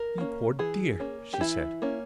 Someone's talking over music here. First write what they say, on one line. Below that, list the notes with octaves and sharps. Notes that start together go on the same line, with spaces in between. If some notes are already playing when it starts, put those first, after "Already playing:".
"You poor dear!" she said.
Already playing: A#4
A#3 C#4
E3 G#4
A#3 C#4
G4
E3 E4
A#3 C#4